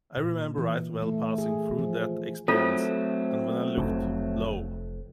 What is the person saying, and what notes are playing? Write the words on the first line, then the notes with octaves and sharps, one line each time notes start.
I remember right well passing through that experience; and when I looked, lo!
A#2
E3
A3
G#4
F3
F#3 A3 C4 F4 A4
F1 F2